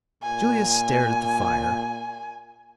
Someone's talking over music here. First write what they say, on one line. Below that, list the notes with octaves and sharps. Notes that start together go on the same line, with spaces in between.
Julius stared at the fire.
A#2 G#5